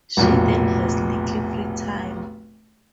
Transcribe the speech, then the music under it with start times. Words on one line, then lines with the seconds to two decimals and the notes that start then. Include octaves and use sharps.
She then has little free time.
0.17 F1 B1 A#2